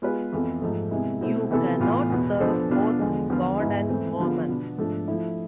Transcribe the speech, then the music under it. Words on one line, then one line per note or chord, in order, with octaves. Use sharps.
You cannot serve both God and mammon.
G#3 B3 F4 G#4 B4
F2 E3 B3 F4 A4
G#2 F3 A3
C3 G#3 B3 E4
B2 A3 C4 E4
C3 E3 B3 E4 A4
A2 E3 B3 F4
E2 B2 B3
F3 B3 D4 A4 C5
B2 B3 D4 F4
E2 D3 F3 G#3
E2 D3 F3 B3 F4
G#2 G#3 B3 E4
E3 A3 C4
D3 F3 B3 F4 G#4
B2 B3 D4
G#2 F3 A3 D4 A4
F3 A3 E4